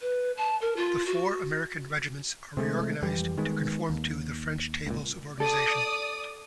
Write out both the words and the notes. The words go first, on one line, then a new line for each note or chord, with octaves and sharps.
The four American regiments are reorganized to conform to the French tables of organization.
B4
A5
A#4
F4
F#4
C3 G#3 A3
F2 E3 G3
D#3 G#3 B3
D#2
C#2 A#2
A4 D5 D#6